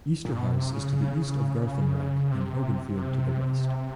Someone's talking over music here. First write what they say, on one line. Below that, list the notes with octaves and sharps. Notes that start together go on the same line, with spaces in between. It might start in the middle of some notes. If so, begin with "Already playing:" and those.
Easterhouse is to the east of Garthamlock and Hogganfield to the west.
A#2
B2
C3
C#3
C3